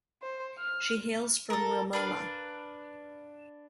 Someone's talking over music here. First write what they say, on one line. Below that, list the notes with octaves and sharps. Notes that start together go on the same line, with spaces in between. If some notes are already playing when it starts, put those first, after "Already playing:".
She hails from Ramallah.
C5
F6
A4 A#4
D4 B4 F5